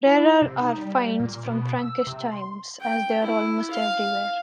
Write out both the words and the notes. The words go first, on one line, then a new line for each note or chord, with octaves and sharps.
Rarer are finds from Frankish times, as they are almost everywhere.
E4
C3
D#4
G3
A#2
B2
E6
C3
C6
G5
E4
F5